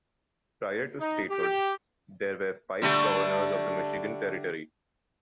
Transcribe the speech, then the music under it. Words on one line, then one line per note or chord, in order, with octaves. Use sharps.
Prior to statehood, there were five governors of the Michigan Territory.
D#4
G4
D3 G3 A3